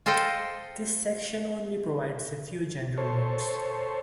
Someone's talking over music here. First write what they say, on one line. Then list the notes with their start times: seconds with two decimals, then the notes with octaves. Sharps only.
This section only provides a few general notes.
0.06 F4 A4 C5 D#5 G5
2.97 A4 C5 C#5